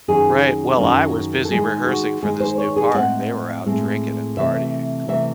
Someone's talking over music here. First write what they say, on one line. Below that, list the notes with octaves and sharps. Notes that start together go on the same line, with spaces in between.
Right. Well, I was busy rehearsing for this new part. They were out drinking and partying.
F#2 D#3 F#3 C#4 G#4
F#2 D#3 F#3 C#4
A4
D#3 G#3 D#4 G#4
F#4
D#3 G#3 D#4 G#4
C5
C#5
G#4
A2 G#3 C4 F#5
A2 G#3 C4
C3 E3 A3 E5
C3 E3 A3 E5